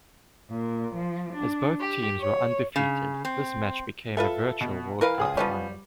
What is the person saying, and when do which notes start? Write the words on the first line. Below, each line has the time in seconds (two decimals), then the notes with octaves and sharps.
As both teams were undefeated this match became a virtual World Cup final.
0.49 A#2
0.95 F3
1.33 D4
1.80 G4
2.19 C#5
2.76 C#3
3.25 C4
4.17 F4 A4 B4 E5
4.61 B2
5.01 E3 A#4 B4 F5
5.18 C#2 G#4 D#6
5.37 F3 G3 B3 C#4